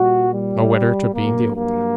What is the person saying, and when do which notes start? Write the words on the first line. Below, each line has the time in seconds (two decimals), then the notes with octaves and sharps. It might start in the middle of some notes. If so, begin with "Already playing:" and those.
No weather to be in the open.
Already playing: A#2 G3 F#4
0.32 G3
1.14 G2 F#3 A#3
1.55 A#3